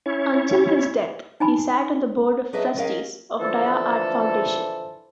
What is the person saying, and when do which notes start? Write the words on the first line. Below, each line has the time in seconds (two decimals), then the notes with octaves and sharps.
Until his death, he sat on the Board of Trustees of Dia Art Foundation.
0.06 C#4 E4 C#5
1.40 D#4 G#5 B5
2.53 F#3 D4 G#4 B4 D#5 E5
2.77 F#3 C#4 G#4 A#4 D#5 F5
3.39 D3 E3 F3 A4